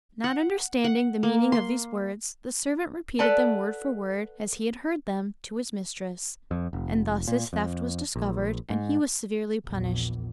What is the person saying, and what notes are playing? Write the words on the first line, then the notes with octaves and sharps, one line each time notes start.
Not understanding the meaning of these words, the servant repeated them word for word, as he had heard them, to his mistress; and thus his theft was discovered, and he was severely punished.
F#5
F#5
A#3
C6
A4 B4 D5 F#5 A5
F2
F1
A#2
F2
A#1
G#2
A#1 E2